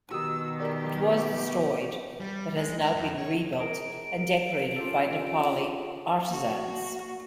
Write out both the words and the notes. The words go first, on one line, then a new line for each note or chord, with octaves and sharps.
It was destroyed but has now been rebuilt and decorated by Nepali artisans.
B2 D#3 F#4 G4 D#6 E6
G4 A#4 D5
C#6
G3
G#3
A#4
F2
C#5
G#4 A#4 D7
C#4 F4 G4 A4
A#3 F#4